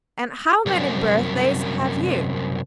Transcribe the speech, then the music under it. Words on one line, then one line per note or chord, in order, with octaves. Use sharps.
'And how many birthdays have you?'
C2 F#2